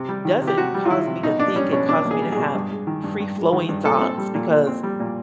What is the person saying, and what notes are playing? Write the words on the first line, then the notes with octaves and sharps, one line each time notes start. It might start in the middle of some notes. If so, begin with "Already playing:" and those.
doesn't cause me to think, it cause me to have free-flowing thoughts because
Already playing: C3
G3
D#3
C3
G4
C3 F#4
G3
F4
D#3 E4
C3
B2 D#4
A#3 D4
G3 C#4
B2 C#4
B2 D4
A#3
G#4
G3
G#4
B2
G2
G#3
D#3
G2
G2
G#3
D#3
G2
A#2 A4
C4
G3
A#2
A#2
C4
G3
A#2